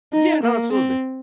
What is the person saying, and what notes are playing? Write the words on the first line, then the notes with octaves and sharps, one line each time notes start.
Yeah, no, absolutely.
D#4
A#3
C4